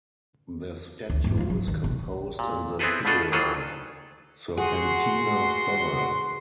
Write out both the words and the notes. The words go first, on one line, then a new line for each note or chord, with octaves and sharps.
The statue is composed in the figura serpentina style.
D2
E2 G#2
F3 F4
F#3
D#3
B1
A#2
B3 C4 E4 G#4 A4 B4
B2 A3 D4 F4 G#4 A4
D#3 E3 F#3 F4 G#4 A4
F#4 G#4 F#5 C6